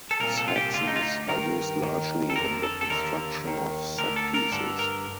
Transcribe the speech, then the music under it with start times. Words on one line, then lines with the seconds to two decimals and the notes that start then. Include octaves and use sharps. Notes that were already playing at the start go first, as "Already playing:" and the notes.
Saxons are used largely in the construction of set pieces.
0.11 A4
0.20 C2 A#2 A#4
0.38 A4
0.48 F4
0.56 G4
0.74 D2 D3 F4
0.87 D#4
0.96 F4
1.01 D#4
1.28 G2 D#3 A#4
1.82 D#2 D#3
2.30 A4
2.36 F2 D3 A#4
2.63 A4
2.81 A4
2.90 D#2 D3 A#4
3.44 D#2 D#3
3.98 D2 D3 A#4
4.16 A4
4.34 A#4
4.52 G2 D3 A4
4.79 A#4